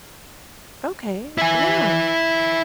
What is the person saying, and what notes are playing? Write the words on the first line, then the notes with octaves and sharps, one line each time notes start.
Okay, yeah.
E4 G#5